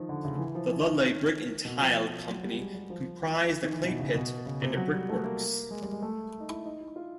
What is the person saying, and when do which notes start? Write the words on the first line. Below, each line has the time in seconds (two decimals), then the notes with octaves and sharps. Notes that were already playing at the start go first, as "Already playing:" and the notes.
The Ludlay Brick and Tile Company comprised a clay pit and a brick-works.
Already playing: D#3 F3
0.09 D3
0.25 C#3
0.39 E3
0.55 F3
0.71 E3
0.87 D#3
1.65 B2
1.81 F3
2.27 F#3
2.43 G3
2.58 G#3
2.75 G3
2.90 F3
3.52 E3
3.63 D#3
3.73 E3
3.84 B2
3.99 C#3
4.14 B2
4.46 C#3
4.62 C3
4.77 F#3
4.93 G3
5.09 A3
5.24 A#3
5.71 G#3
5.82 G3
5.92 G#3
6.02 A3
6.40 D#4
6.49 E4
6.66 D#4
6.81 E4
6.96 F4